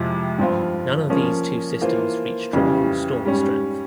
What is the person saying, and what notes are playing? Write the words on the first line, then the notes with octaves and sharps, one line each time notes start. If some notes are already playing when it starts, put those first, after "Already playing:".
None of these two systems reached tropical storm strength.
Already playing: F2 C3 F3 G#3 E4
G2 F3 C4 F4
F3 A#3 C#4
E3 A#3 F4 C5
F2 C#3 E3 G3 C#4
G#2 G3 C#4